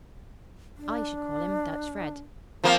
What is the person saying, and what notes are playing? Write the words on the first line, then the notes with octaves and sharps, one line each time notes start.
"I should call him Dutch Fred."
D4
F3 A#3 C4